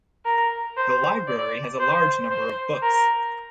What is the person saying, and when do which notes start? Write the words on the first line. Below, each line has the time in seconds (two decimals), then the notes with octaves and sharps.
The library has a large number of books.
0.25 A#4
0.77 C5
1.28 D5
1.80 C5
2.31 C5
2.83 A#4